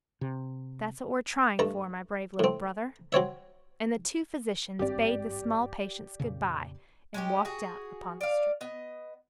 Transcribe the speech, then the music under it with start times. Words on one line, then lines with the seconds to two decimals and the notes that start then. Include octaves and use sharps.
"That's what we're trying for, my brave little brother," and the two physicians bade the small patients good-by and walked out upon the street.
0.21 C3
1.59 G2 A3 A#5
2.39 A2 C4
3.12 F#3 C4 C#5 E5
4.79 G#1 G2 C4 G4 D5
6.20 F2 A#2 C#3
7.14 G#3 C#4 G4
7.45 F#4 G#4
8.21 D5 F5
8.61 B3 D#5